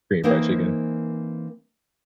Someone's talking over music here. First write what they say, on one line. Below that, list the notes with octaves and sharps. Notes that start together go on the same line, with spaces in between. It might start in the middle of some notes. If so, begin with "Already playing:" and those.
Korean fried chicken.
E3 A#3 C4 D#4 A#4 C5